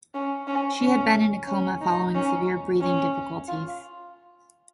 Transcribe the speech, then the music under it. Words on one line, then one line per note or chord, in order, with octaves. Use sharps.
She had been in a coma following severe breathing difficulties.
C#4
C#4
C#4
C#4
D#4
C#4
C#4
F4